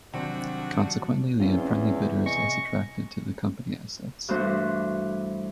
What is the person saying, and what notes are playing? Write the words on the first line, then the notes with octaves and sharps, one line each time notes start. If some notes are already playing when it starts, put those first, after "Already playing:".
Consequently, the unfriendly bidder is less attracted to the company assets.
C3 D#3 F#3 G3 C4 D4 F#4
E2 C4 C#4 F4
C3 D#5 G#5 C#6 A#6
G2 E3 A3 D4 F#4 C5